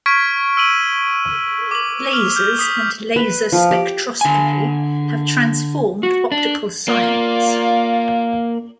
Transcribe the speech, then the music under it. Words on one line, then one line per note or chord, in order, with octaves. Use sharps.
Lasers and laser spectroscopy have transformed optical science.
C#6 F6 G#6 B6 D7
E6 D7 D#7 F#7
D6 F#7
F6 F7 G7
F6 G6
D#6 B6 F7
B4
F3
G4
D3 G#5
F#4
D4
A#3 F4 D5